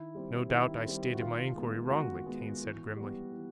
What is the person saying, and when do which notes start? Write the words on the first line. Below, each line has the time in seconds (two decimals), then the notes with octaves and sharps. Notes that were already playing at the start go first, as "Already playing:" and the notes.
"No doubt I stated my inquiry wrongly," Kane said grimly.
Already playing: D#3 E4
0.15 G3 C4
0.49 D#3 E4
0.85 G3 C4
1.13 F#4
1.20 D#3 F4
1.55 G#3 B3
1.90 D#3 F#4
2.26 G#3 B3
2.62 E3
2.96 G3 B3
3.32 E3